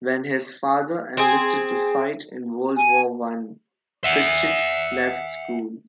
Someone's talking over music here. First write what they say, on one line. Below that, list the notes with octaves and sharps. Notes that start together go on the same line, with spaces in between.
When his father enlisted to fight in World War One, Pritchett left school.
C4 G#4
G#5
E5 F#5